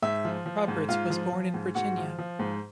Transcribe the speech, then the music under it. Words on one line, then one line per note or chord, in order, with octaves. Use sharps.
Roberts was born in Virginia.
G#2 E5
F3
F3
G#2
G#2 F4 F5
F3
F3
G#2
G#2 F#4 F#5
F3
F3
G#2